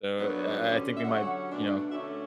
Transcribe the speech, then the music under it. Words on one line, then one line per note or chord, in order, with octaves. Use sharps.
so I I think we might, you know,
G2 F#3 B3 D4
D3 G3 C#4
E5
D3 F#3 C#4 F#5
B2 A3 D4
D3 A3 C#4 E5